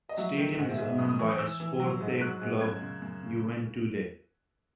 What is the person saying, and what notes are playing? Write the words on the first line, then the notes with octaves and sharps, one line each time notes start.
The stadium is owned by Esporte Clube Juventude.
D#5
F#3 E5
D#3
G#2 F#5
E5
G#2
E5
F#2 D#6
D#6
E3 C#6
D#6
E3 E6
E3
F#3
G#2
F#3 F#6
G#2
F#2 G#6
C#3
F#2
C#3